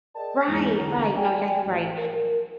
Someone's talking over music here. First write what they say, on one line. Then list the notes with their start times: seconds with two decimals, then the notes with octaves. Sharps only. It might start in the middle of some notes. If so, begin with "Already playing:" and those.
Right, right, no, yeah, you're right,
0.15 G#4 A#4 D5 D#5 G5 A5
0.48 E2 G#2 A#3 E4
0.78 E2 D3 F#3 D#4 F#5 A#5
1.16 D5 G5 G#5
1.65 A1
1.98 A#4